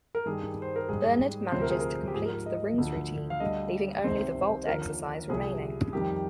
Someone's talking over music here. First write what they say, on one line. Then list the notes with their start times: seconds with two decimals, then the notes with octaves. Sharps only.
Bernard manages to complete the rings routine, leaving only the vault exercise remaining.
0.15 A#4
0.26 G2 D#3 G3 G#4
0.62 C5
0.76 A#4
0.89 G#2 G3 G#4
1.52 D2 C3 F3 C5
1.62 A#4
1.70 G#4
1.80 A#4
2.08 G4
2.14 G#2 F3 G#4
2.26 A#4
2.46 D#5
2.78 D2 D3 F3
3.30 F5
3.40 D2 D3 G3 D#5
4.04 C2 C3 D#3 C5
4.67 D#2 D3 F3 A#4
5.30 C2 C3 F3 G#4
5.92 F2 D#3 G3 G4